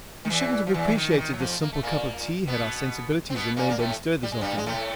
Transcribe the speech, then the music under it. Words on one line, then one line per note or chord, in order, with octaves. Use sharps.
We shouldn't have appreciated this simple cup of tea had our sensibilities remained unstirred this afternoon.
D#3
E2 E3
F3
E2 E3
E3
D#3
E3
D#3
F#3
F2 F3
A#3
A3
A#2 A#3
B2 B3
C4
B2 B3
A#2 A#3
A#3
A2 A3
G3
G#3
G2 G3
G#3
A2 A3